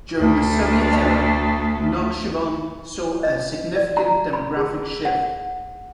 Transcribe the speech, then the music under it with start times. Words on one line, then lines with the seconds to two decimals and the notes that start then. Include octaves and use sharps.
During the Soviet era, Nakhchivan saw a significant demographic shift.
0.18 D2 A3
3.23 D#5
3.76 D5
3.97 A#5
4.33 B5
4.57 G#4
5.05 F#5